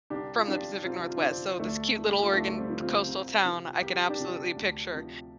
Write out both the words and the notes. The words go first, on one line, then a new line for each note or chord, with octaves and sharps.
from the Pacific Northwest. So this cute little Oregon coastal town, I can absolutely picture
C2 D4 G4
F4
C3 F3 D4 G4
C2 C4 F4
F4
D4
C3 F3 C4 F4
D2 A3 D4
C3 F3
G4
F4
D2 A3 D4
A3
G3 C4
C3 F3
C4 F4
C2
C3 F3
C2 G4
D4 G4
C3 F3
D2
C3 F3